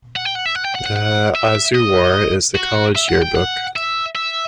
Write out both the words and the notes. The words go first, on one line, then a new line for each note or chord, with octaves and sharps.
"The Azuwur" is the College yearbook.
F#5
G5
F#5
E5
F#5
G5
F#5
F#5
F#5
E5
D#5
F#4
E5
F#5
G5
F#5
E5
E5